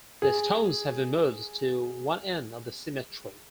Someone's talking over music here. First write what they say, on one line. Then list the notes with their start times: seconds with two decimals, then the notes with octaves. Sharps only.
The stones have been moved to one end of the cemetery.
0.22 G#4